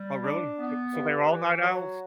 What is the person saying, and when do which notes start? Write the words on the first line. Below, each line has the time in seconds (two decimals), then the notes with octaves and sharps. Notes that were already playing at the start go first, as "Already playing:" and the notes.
Oh, really? S So they're all night owls?
Already playing: G3
0.23 D4
0.58 B3
0.93 G2
1.28 E3
1.62 F#3